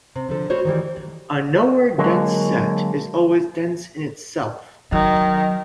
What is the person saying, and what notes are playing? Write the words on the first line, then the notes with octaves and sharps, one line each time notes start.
A nowhere dense set is always dense in itself.
C3
D3 F3 A4
G3 A3 F#4 C5 C#5
D#3 E3 G3
D3 F#3 G#3 A#3
D#3 F#3